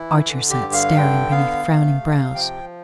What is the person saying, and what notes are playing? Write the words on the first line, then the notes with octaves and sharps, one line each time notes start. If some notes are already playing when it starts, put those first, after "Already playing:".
Archer sat staring beneath frowning brows.
Already playing: E3 E4
D3
G4
G2
F5
D3 G5
B3 F5
A3
C3
F3 G5